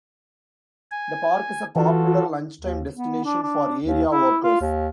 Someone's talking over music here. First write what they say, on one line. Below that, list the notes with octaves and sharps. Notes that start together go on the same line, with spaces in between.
The park is a popular lunchtime destination for area workers.
G#5
E3 F4 F#4 A4
D#2
B3
D4
D4
D#2
E4
F4
D#2